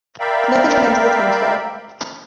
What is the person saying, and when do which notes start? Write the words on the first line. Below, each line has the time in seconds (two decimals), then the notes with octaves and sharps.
Nothing remains of the town today.
0.20 A#4 D5 E5 F5 G5 B5